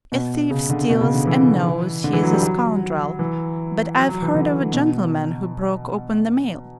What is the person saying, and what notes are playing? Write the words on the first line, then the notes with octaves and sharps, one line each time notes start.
A thief steals and knows he is a scoundrel, but I've heard of a gentleman who broke open the mail.
B2
C#3
D3
B2
C#3
D3
E3
D3
E3
F#3
G3
F#3
E3
F#3
F#3
E3
D3
B2